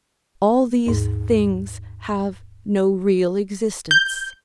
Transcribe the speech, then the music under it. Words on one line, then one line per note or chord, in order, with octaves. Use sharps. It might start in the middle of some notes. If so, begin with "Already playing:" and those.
All these things have no real existence.
D#2 G#2
G6